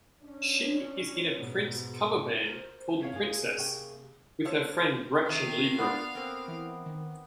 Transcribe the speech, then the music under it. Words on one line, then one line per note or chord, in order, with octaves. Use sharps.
She is in a Prince cover band called Princess with her friend Gretchen Lieberum.
C#4 D4
G#2 B2
A#4 C5
C3 D4 C#5 F5
G2 A#3 G#4
C3 C#4 G5
F4 A4 C5 C#5 F5
C3 D#3 A4 F5 D#6
A#3 B3 D4 F4
A#3 C4
E3
D#3